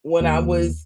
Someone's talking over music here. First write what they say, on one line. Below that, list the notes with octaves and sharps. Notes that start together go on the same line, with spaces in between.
when I was
D#2